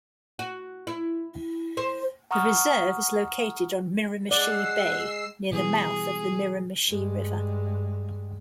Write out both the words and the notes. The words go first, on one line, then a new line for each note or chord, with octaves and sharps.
The reserve is located on Miramichi Bay, near the mouth of the Miramichi River.
F#4
E4
C5
F#5 A#5 C#6 D#6 F6
G#3 D5 F#5 E6 C7
B2 E3 G3 G#4
G2 G#3